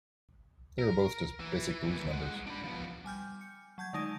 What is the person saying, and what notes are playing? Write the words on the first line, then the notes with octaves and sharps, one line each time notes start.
They were both just basic blues numbers.
A#4
E3
F#2 E3
G#3 F#5
D4 B5
F3 B3
G3 G#5 F6 G6
C#7
F#3 A5 G6 G#6
D3 G#3 D#4 D5 D#7